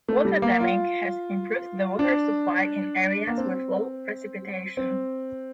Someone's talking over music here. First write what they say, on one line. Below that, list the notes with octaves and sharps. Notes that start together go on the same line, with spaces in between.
Water damming has improved the water supply in areas with low precipitation.
A3
G3
A#3
F4
D4
A#3
C4
C4